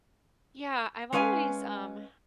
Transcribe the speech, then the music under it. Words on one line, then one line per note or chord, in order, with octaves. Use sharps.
Yeah, I've always, um
G#3 C#4 B4 F5 G#5